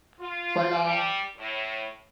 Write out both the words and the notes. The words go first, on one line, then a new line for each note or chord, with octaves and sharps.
Fight Lah!
F4
G3
A2